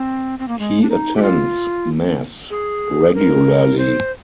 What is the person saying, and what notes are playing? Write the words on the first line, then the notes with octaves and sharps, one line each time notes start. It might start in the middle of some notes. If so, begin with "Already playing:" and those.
He attends Mass regularly.
Already playing: C4
C4
A#3
G#3
D4
D#4
G4
F4
G#4
A#4
C5